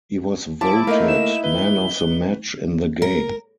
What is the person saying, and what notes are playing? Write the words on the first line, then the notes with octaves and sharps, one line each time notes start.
He was voted Man of the Match in the game.
F3 E4 A5 D6
A3 A#3 D#4 A#4 F5
E7
B4 G7
A#4